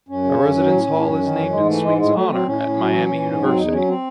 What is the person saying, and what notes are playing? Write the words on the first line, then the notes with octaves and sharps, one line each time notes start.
A residence hall is named in Swing's honor at Miami University.
F#2 C#4
C#3
F#2
F#3
A2
A2
F#2
D#3
F#2
G#2 G#3
E3 A3
G#2 G#3
A2 G#3
F#3 A3
F#3 C4
A2 C#4
A2
F#3
E3
E3
G#2
F#3 C4
E2 D#4
F#3 C#4
C4